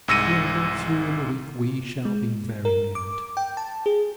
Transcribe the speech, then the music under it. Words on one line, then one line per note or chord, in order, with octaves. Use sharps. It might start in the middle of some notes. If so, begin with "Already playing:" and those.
If we are not through in the week we shall be very near it.
C2 G#2 E6 A#6 C#7 D#7
G#3
A#4
D6
G5
A5
G#4